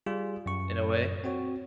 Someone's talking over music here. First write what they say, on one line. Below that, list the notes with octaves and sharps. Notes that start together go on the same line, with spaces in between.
in a way.
G3 F4 G#4
F#2 C#6
C4 F#4 C#5